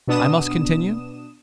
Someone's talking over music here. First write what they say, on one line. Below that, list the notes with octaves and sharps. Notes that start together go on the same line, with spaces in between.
I must continue?
B2 B3 D4 D#6 E7